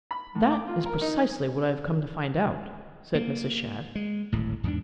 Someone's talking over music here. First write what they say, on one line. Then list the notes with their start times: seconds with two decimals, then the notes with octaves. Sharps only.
"That is precisely what I have come to find out," said Mrs. Shadd.
0.11 B5
0.35 A2
0.52 D6
0.67 F4
0.86 A#4
1.01 D#4
3.15 A#3
3.95 G#3
4.32 D1 G#1 A2
4.63 E2 G#2 D4